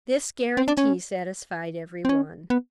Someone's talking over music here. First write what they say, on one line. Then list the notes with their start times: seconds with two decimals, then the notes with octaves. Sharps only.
This guarantee satisfied every one.
0.57 C4
0.68 D4
0.78 C#4
2.05 C4
2.09 C#4
2.50 B3